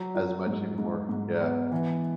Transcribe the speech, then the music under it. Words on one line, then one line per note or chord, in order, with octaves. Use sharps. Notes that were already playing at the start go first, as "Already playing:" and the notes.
as much anymore. Yeah.
Already playing: F#3
F#3
G#2
G#2
G#2
B3
E3